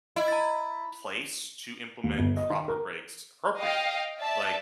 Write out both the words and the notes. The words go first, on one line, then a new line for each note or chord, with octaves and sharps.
place to implement proper breaks appropriately. Like,
E4 D#5
A#5 A6
D#2
G1
D#5
D#3
A#4
D#5 F5 G5
D5 E5 A5